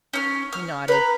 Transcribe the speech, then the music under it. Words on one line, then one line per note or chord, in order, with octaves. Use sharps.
He nodded.
C#4 F6
F6
B4 A#5